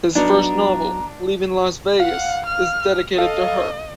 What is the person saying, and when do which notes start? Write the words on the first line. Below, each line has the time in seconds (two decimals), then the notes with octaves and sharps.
His first novel, "Leaving Las Vegas", is dedicated to her.
0.15 F#3 B3 D4 D#4 A#5
2.00 F5 F#5
2.46 F6
3.18 A4 D#5 F5